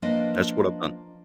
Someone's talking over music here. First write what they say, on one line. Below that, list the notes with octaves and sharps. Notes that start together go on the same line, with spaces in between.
That's what I've done.
F3 A#3 D4 F4 B4 D#5